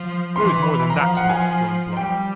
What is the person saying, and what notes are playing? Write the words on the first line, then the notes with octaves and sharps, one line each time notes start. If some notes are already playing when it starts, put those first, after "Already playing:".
"There is more than that to it," groaned Blood.
Already playing: F3
E3 C6
B5
F3 A#5
F5
F#5
G#5
G3 G5